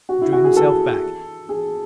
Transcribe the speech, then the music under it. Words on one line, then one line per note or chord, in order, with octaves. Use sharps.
Drew himself back.
F#4
E4
F#4
G#4
A4
G#4